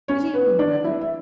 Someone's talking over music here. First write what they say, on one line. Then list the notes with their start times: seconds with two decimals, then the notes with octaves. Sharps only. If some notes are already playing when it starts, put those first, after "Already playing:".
'Good evening, Mother.'
0.08 C#4 C#5
0.34 B3 B4
0.59 D4 D5
0.84 E4 E5
1.01 E5